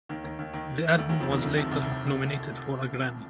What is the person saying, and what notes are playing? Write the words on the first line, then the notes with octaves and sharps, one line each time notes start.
The album was later nominated for a Grammy.
D#2 D#3
D#2 D#3
D#2 D#3
D#2 D#3
D2 D3
D#2 D#3
F2 F3
D#2 D#3
D2 D3
C2 C3
C2 C3